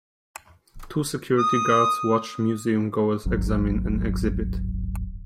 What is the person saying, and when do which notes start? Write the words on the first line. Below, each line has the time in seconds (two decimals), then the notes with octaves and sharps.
Two security guards watch museum goers examine an exhibit.
1.39 D#6
3.26 D1 G#1 F#2 F#3